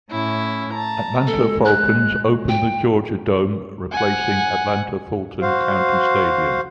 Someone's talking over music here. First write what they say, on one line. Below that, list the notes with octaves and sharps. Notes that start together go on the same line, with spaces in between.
Atlanta Falcons opened the Georgia Dome, replacing Atlanta-Fulton County Stadium.
A2 C#4 E4
A5 A#5
G#3 A4
F#6
G5
F#5 G#5
F#4 C5 F5